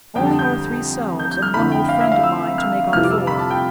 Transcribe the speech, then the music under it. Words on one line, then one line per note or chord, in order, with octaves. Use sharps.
Only our three selves, and one old friend of mine to make up four.
F2 D3 G3 G5
A5
G6
G6
G6
F6
F2 D3 A3 E4 B5
G5
F5
E5
F5
E6
F6
F2 C3 G3 B3 F4 F6
D6
E6
B5
A5
G5